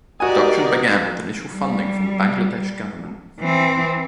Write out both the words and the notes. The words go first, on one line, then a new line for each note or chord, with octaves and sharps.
Production began with initial funding from the Bangladesh Government.
F#4 G4 A#4 D5 D#5 G#5
G3
E3 C4